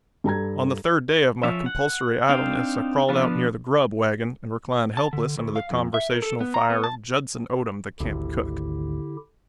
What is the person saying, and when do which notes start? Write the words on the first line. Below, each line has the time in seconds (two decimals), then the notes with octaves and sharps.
On the third day of my compulsory idleness I crawled out near the grub wagon, and reclined helpless under the conversational fire of Judson Odom, the camp cook.
0.24 G2 A4 A#5 G#6
1.43 F3 C#4 E5
1.66 F#5
2.29 C4 D4 D#4 F5 G5
3.09 F3 B3 D4 F4
4.97 A5
5.13 D3
5.37 D2
5.56 F5
5.71 F2
5.94 E5
6.10 A#4
6.22 A4
6.41 B3
6.54 A#5
6.70 B3
6.84 A5
8.00 G#1 D2 D3 E4 G4